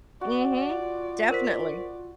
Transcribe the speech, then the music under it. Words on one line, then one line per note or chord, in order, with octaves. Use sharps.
Mhm. Definitely.
F#4 D5
F4
A#4 C5 D5 B6